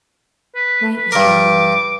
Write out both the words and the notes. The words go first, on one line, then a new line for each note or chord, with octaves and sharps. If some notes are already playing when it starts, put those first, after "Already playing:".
Night was drawing near.
B4
B4
G2 A#4 D6